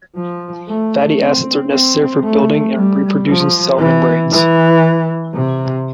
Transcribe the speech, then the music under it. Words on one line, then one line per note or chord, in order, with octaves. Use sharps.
Fatty acids are necessary for building and reproducing cell membranes.
F3
A3
C4
C4
A3
G3
F3
E3
E3
C3